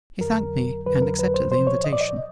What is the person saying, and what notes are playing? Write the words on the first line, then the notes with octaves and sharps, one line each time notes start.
He thanked me, and accepted the invitation.
F2 D3 F#3 A#4
F2 D3 F#3 B4
A#4
B4
C5
A#2 F3 C5
C#5
D#5
D5
D#5